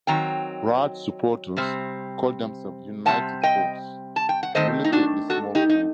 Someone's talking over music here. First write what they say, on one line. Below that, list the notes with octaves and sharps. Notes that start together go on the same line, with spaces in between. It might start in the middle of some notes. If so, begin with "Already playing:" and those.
Rad's supporters call themselves "United Force", a relatively small group.
D#3 F#3 C4 G5 A#5
C3 G3 C4
C3 G3 C4 F#5 A5
D#5 G5
A5
G5
F#5
D#3 A3 C4 C5 D#5
D#4
D4 F#4
F#4 A4
D#4 G4
D#4